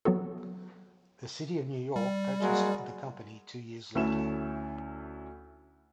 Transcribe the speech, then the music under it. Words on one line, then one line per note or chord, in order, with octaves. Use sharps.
The city of New York purchased the company two years later.
F#3 B3 F#4 A4
G3
F#3 G#3 A#3
D2 A3 C#4 E4 E5 E7